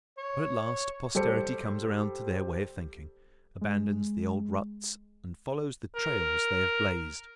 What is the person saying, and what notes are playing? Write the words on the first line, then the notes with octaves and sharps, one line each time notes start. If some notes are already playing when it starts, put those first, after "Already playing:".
But at last posterity comes around to their way of thinking, abandons the old ruts and follows the trails they have blazed.
C#5
G3 A4 C5 C#7
G#3
A#4